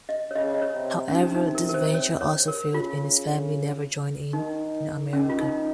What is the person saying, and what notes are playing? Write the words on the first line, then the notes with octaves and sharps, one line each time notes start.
However, this venture also failed and his family never joined him in America.
D#5
C#5
C#3 D#5
D#5
C#5
C3
C#4
C3 D#4
D#4
A#4
A#4
C5
C#5
C#5
A#4
C#3 F4
D#3 D#4
D#3 C#4
F4
D#4